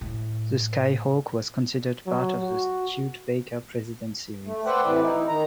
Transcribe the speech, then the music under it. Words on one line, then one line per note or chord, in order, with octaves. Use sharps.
The Sky Hawk was considered part of the Studebaker President series.
A2
F#3
F#4
A3
B4 C5 D5 E5 F#5 G5
A2 C3 E3 B4 D5
D#4 E4
D#3 A#5